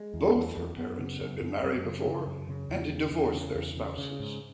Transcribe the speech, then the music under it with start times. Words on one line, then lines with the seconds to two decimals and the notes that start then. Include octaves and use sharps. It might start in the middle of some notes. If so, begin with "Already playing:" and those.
Both her parents had been married before and had divorced their spouses.
Already playing: G#3
0.14 E2
0.36 E2
0.57 E2
0.78 F#2 B3
0.99 C#3
1.21 F#2
1.42 F#2
1.64 F#2
1.85 C#3
2.07 C#3
2.27 F#2
2.49 C#3 C#4
2.69 E2
2.92 C#3
3.12 E2
3.34 C#3
3.55 E2
3.76 C#3
3.98 C#3
4.20 G#2